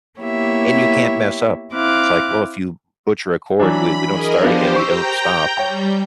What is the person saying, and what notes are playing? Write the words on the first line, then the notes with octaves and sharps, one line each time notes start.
and you can't mess up, it's like, well, if you butcher a chord, we we don't start again, we don't stop,
A#3 B3 E4 G4 C#5 E5
C4 E4 F5 D6 F#6
E3 F#3 D4 B5
G#4 A#4 D#5
F3 B3 D4 G4 C5
G5 A#5 C#6 E6 G6
G3 C#5 G5